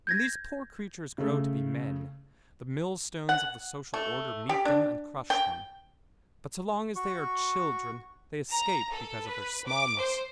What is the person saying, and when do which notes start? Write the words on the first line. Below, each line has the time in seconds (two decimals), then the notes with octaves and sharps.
When these poor creatures grow to be men, the millstones of the social order meet them and crush them, but so long as they are children, they escape because of their smallness.
0.07 G6 G#6 A#6
1.18 C#3 A3
3.29 F#5
3.94 A3
4.49 G4
4.65 D4
5.30 G5
6.96 F#4 C#6
8.51 A#5
8.92 A4
9.27 B4
9.67 D6
9.99 C5